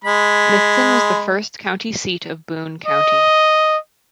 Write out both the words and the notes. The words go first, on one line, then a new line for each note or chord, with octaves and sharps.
Smithton was the first county seat of Boone County.
G#3 B5
D#5